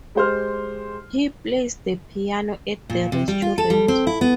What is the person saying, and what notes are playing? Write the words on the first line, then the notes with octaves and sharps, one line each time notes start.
He plays the piano at the restaurant.
G#3 G4 C5 C6 F6
A#2
C3
G3
F4
A4
G3
C4
E4
B3